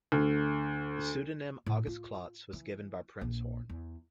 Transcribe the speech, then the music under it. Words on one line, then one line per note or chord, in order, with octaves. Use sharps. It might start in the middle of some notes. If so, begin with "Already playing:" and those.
The pseudonym August Klotz was given by Prinzhorn.
D2
A2
F4
E3
A#1
E2